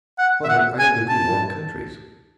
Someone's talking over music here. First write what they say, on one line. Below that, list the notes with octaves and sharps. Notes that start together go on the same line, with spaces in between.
"Mother, I have been to warm countries."
F#5
E5
F#5
G#5
A5